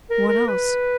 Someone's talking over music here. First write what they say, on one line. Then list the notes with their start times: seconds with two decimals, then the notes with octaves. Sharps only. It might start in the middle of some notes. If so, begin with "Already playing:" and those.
What else?
0.11 A#4
0.28 A#4
0.48 B4